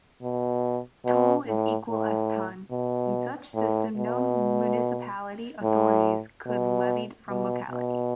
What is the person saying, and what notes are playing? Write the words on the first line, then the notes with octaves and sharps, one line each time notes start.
Toll is equal as ton...in such system no municipality authorities could levied from locality.
B2
B2
A2
A2
B2
A2
B2
A2
B2
B2
B2